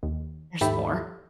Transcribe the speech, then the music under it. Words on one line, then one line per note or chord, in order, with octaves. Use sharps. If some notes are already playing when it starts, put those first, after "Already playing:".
There's more.
D#2
D#2 G#2 G4 A4 E5 B5